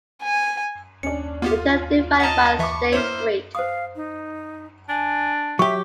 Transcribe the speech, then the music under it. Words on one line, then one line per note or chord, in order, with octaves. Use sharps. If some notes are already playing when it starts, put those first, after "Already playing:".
The two are divided by State Street.
G#5
D#2 C#4 D4 C#7
A#3 B3 F4 G4
D#5 F#5 A5 A#5
E3 E5 A5 B5 C#6 D6
A#3 E4 C5 C#5 F6
C5 F5 D#6
D#4
D4 G#5
F#3 G4 E5 C#6